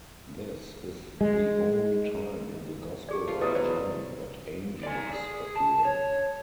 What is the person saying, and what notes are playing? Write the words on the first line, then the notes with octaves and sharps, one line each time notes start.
This is the only time in the Gospel of John that angels appear.
G#3
G4 G#4 D5
A3 F4
B2 F#3 E4 B4 D#5 D#6
F#3 E4 C5 D5
D5 G#5
G#4
A5
C#5